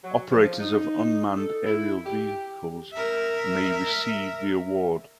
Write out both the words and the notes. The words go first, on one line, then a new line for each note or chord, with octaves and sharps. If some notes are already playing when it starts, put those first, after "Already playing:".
Operators of Unmanned aerial vehicles may receive the award.
F#3
F3
D#4
A4
E4
G4
A#4 E5